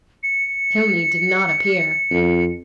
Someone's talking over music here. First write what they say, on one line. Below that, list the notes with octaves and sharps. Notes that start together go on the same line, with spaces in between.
Tilney did not appear.
C#7
F2